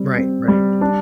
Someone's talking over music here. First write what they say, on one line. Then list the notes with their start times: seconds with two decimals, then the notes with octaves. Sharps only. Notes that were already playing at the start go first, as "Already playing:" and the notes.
Right, right.
Already playing: G3 C4
0.16 C4
0.48 G3
0.81 D4